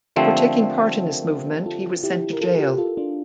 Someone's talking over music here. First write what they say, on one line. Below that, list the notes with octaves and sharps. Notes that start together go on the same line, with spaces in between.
For taking part in this movement he was sent to jail.
D3 F3 A3 C4 G4 A#4
F4 A4
E4 G4
A#4
F4 A4
G4 A#4
F4 A4
D4 F4